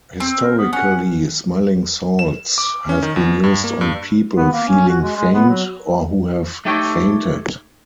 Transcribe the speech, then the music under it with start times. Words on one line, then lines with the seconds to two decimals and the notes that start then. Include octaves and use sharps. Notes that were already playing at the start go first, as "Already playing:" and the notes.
Historically, smelling salts have been used on people feeling faint, or who have fainted.
0.20 C4
0.41 A#4
0.58 B3
0.73 C#4 F#5
2.19 E7
2.58 D6
2.89 C#4
3.03 D#3
3.16 E2
3.44 G2
3.64 A#3
3.81 G2
4.36 B3
4.52 A#3
4.68 C#4
4.88 F#4
5.02 G#3
5.16 G#3
5.33 B3
5.49 F#3
6.65 A3 D#4 G4 A4 C#5 G5